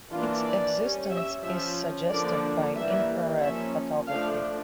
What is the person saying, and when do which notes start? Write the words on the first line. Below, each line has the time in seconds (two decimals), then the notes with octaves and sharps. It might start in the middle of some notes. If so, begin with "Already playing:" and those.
Its existence is suggested by infrared photography.
0.12 E3 A#3 D4 F4
0.45 D5
0.78 G3 C#4
1.11 E5
1.43 F3 C#4 E5
2.10 D3 F3 A#3 D4 D5
2.75 E3 G3 A#3 E5
3.41 F3 A#3 C#4 E5
4.07 F3 A3 D4 F5